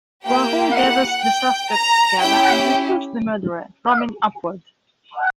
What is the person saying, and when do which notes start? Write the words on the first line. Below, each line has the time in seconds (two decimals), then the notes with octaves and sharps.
Poirot gathers the suspects together and reveals the murderer - Robin Upward.
0.25 A#3 E4 G4 G5
0.73 F#5
1.22 G5
1.70 A#5
2.19 C#4 E4 G4 G5